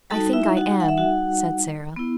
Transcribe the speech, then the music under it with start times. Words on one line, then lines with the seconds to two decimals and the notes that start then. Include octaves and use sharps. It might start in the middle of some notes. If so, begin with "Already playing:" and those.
"I think I am," said Sara.
0.10 G3 D#4 F#4 A4 A5
0.33 E4 E5
0.57 F#4 F#5
0.80 F#5
0.88 E5
0.97 F#4 F#5
1.96 B3 E4